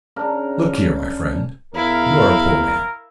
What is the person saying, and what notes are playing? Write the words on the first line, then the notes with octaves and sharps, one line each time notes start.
'Look here, my friend, you are a poor man.
C#3 D4 A#4
E2 E4 A#4 F5